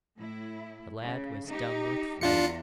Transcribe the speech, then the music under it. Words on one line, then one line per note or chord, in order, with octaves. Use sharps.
The lad was dumb with fright.
A2 E4
C#3
D#4 G4
E2 D4 F4 C#7